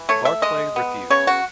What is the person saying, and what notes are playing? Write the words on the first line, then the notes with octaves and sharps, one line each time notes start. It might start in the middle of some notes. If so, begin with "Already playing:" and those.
Barclay refused.
Already playing: E3
A3 C#5
E5
G#3 D#5
B3
C#3 C#5
F#4